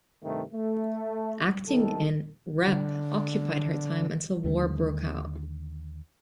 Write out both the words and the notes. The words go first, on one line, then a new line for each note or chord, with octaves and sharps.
Acting in "rep" occupied her time until war broke out.
G2 C3 D#3 A3
A3
C2 D#3 A4
D3
D#2 D3 G3 A3